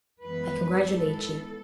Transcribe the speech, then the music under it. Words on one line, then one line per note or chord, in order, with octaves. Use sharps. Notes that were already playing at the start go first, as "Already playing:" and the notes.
I congratulate ye.
F#2 E3 G#3 B3 B4
G#2 E3 B3 E4 A4